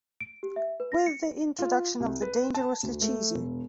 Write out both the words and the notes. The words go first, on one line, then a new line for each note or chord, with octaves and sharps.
With the introduction of the Dangerously cheesy!
D7
G4
E5
B4
A#6
C#7
F4
C2
B4
A5
D2
A3
E1